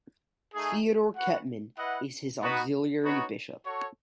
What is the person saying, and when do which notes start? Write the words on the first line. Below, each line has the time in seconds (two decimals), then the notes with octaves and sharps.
Theodor Kettmann is his auxiliary bishop.
0.54 A3 D#4 G#4
1.17 F#4 B4 F#5
1.79 E4 B4 D#5 F#5
2.42 B3 D#4 F#4 B4
3.03 B3 D#4 F#4 C#5
3.65 F#4 A4 C#5